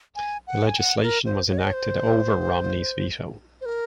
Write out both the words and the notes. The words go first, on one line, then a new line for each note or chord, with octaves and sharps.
The legislation was enacted over Romney's veto.
G#5
F#5
G#5
F#5
A#4
C5
C#5
D#5
C#5
C5
C5
A#4